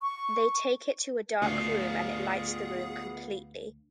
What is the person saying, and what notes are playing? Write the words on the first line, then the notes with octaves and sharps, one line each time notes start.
They take it to a dark room and it lights the room completely.
C#6
D2 B3 F4 G#4